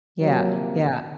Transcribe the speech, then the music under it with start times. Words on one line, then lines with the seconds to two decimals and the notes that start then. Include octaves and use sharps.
Yeah, yeah.
0.19 C3 F3 F#3 A#3